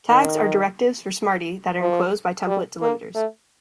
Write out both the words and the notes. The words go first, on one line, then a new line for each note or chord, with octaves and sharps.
Tags are directives for Smarty that are enclosed by template delimiters.
D#3
F3
G3
A#3
A3